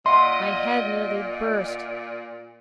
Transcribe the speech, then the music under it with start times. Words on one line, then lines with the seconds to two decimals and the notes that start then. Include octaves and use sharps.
My head nearly burst.
0.06 A#2 D#5 E5 F#5 C6